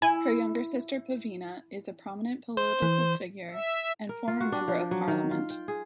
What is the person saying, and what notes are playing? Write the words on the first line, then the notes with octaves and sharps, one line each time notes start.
Her younger sister, Pavena, is a prominent political figure and former member of Parliament.
E4 G#5
C5
E3
E5
A#4
F4
F#4
D4
F3
F#3
D#3
F4
G5
G#4